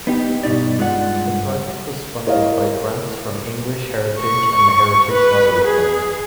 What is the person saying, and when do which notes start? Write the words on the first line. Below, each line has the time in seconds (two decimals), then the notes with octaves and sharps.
The project was funded by grants from English Heritage and the Heritage Lottery Fund.
0.07 B3 D#4 G4
0.43 G2 B2 D#4 D5
0.78 G2 G#3 F4 B4 D5 F#5
2.27 E4 A#4 C#5 D#5 F5
4.19 C#6
5.10 B4
5.64 G#4